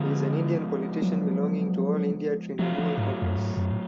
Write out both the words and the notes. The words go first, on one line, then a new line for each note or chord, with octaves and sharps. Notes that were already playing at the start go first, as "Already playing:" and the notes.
He is an Indian politician belonging to All India Trinamool Congress.
Already playing: D3 F3 G#3 B3 F4
F#3
F3 F#3 A3 F4
F3
G#2
F2
F#2
G#2
F#2
A2